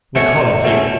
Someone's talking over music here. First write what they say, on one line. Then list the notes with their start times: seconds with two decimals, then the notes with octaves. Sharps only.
We call heem here.
0.15 B2 A3 C#4 C#5
0.63 B2 A3 C#4